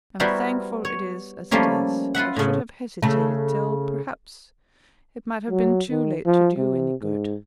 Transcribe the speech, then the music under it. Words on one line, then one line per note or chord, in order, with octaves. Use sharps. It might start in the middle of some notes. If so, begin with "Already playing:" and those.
I'm thankful it is as it is; I should have hesitated till, perhaps, it might have been too late to do any good.
G3 B3 E4 F#4 A#4 C5
C#5
F3 G3 A3 A#3 C#4 E4
F4 B4 E5 F#5
A2 C#3
C#3 A3
F#3
D#3
F3
C3
G#2